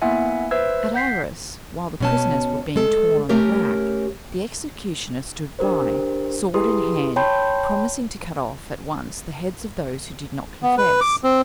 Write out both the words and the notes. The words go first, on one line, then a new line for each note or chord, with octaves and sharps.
At Arras, while the prisoners were being torn on the rack, the executioner stood by, sword in hand, promising to cut off at once the heads of those who did not confess.
A#3 B3 E4 E5 F#5 G#5
B4 C5 E5 E6 G#6
F#5 G6 B6 C7
B2 C#4 A5
G#3 A4
A3 C#4 G4 A#4 C#5
D4 G4 A#4 C5
E4 G4 G#4 B4 C6 D#6
C#5 G5 A5 B5 C6 G6
B3
B4
D6
C4